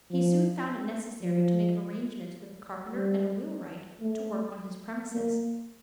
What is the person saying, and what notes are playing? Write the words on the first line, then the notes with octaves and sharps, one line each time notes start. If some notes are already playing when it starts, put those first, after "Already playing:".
He soon found it necessary to make arrangement with a carpenter and wheelwright to work on his premises.
F3
F3
G3
A3
A#3